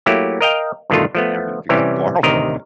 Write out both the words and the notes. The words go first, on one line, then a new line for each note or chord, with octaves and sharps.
Eh I mean, if you gotta borrow something.
F#3 A3 A#3 E4 G4
A#4 D#5 F5 G5
G2 B2 D3 D#3 A3 F4
F3 A3 B3
C3 E3 G3 C#4 G4
A1 D2 C3 D#3 A#4 D#5